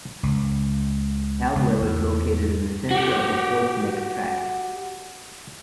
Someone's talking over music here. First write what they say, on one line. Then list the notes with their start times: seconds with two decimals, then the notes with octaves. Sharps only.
Caldwell is located in the center of the Horse Neck Tract.
0.23 C#2
1.55 C#2
1.82 E2
2.91 F#4 G4